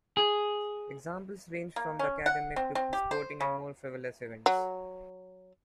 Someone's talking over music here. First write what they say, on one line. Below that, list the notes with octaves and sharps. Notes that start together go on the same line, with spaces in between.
Examples range from the academic to sporting and more frivolous events.
G#4
A#3
C#4
F#5
C4
C4
G4
C5
C#3
F#3